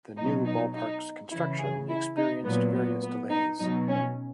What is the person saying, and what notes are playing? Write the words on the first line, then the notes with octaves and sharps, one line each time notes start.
The new ballpark's construction experienced various delays.
B2 F#3 D#4
D#4
D#4
C#3 E3 E4
G#4
E4
D#4
A#2 F#3 B3
B3
B3
D#4
B2 F#3 D#4
C#4